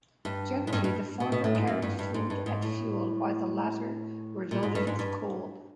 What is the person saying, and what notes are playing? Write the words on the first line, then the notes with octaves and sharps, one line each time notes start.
Generally, the former carried food and fuel while the latter were loaded with coal.
G2
G#2
G2
G2
B2
B2
A2
G#2
F#2
G2
G2
G#2
G2
G#2
A2
A#2
G#2
G2
G#2
G2